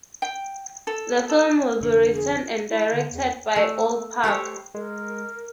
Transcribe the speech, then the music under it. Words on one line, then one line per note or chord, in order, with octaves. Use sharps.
The film will be written and directed by Ol Parker.
G5
A4
A4
F1 D3
G#4
E4
D3
E2
A3
G4 A4 C5 C#5
G#3 A#4